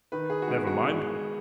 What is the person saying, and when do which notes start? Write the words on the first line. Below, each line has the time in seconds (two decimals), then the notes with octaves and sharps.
Never mind.
0.12 D#3 B4
0.30 G#4
0.42 F#4
0.48 G#3 B3 G#4
0.67 F#4